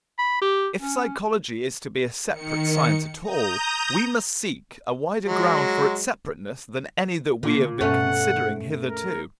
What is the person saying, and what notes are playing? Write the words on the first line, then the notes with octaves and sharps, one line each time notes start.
If psychology is to be a separate science at all, we must seek a wider ground for its separateness than any that we have been considering hitherto.
B5
G4
C#4
D#3 C#7
A#5 D#6 G6
F#3 G#3
A#2 D3
G2 B2 A3 C#4 F#5
A#4